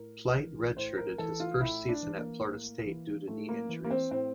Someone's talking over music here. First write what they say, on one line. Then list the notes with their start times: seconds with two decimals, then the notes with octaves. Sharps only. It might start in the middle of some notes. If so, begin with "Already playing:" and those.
Polite redshirted his first season at Florida State due to knee injuries.
Already playing: A2 A#4
0.36 E3
0.77 A2 C5
0.97 A#4
1.18 E3 A4
1.40 F4
1.60 A2 E4
1.89 D4
2.02 E3
2.17 A#3
2.44 A2
2.85 E3
3.28 A2 A3
3.49 A#3
3.69 E3
3.84 A#3
3.90 C4
4.11 A2 C4